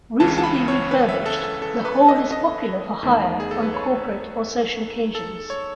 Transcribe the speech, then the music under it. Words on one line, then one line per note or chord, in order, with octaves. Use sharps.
Recently refurbished, the Hall is popular for hire on corporate or social occasions.
C#2 C#3 E3 A5
A5
B5
C#5
B4
E5
A4
A4
A4
B4
D#5
D#5
E2 D#3 A3
G#4
A4
B4
C#5
A4
C#5